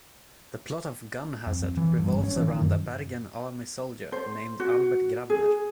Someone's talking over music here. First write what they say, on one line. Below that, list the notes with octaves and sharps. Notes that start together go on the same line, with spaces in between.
The plot of "Gun Hazard" revolves around a Bergen Army soldier named Albert Grabner.
F2
F2
E3
G2
G#1
C#4
E3
D#3
F#2
C5
F#4
G#4